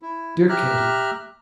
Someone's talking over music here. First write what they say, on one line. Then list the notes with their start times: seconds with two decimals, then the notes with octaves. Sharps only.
Dear Katie!
0.02 E4
0.49 G4 E5 A#5 F6 F#6